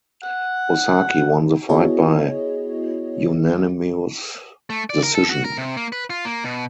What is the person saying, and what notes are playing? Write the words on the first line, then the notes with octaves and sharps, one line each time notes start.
Osaki won the fight by unanimous decision.
F#5
B3 E4 F#4 G#4 C#5 D#5
A3
D5
A#4
A4
F#4
A#4
C3
A#3
B4
F4
A#3
B2